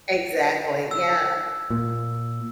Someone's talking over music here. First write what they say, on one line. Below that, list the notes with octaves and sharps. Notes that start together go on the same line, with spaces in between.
Exactly, yeah.
E6
A#2